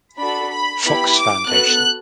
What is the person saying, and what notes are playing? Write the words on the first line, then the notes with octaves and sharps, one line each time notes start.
Fox Foundation.
D4 F#4 A4 B5
B5
B3 E4 G4 B5
D6
B3 F#4 A4 F#6